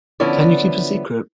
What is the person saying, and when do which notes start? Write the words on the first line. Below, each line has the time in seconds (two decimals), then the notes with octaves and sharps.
Can You Keep a Secret?
0.20 D3 F3 B3 C#4 E4 D5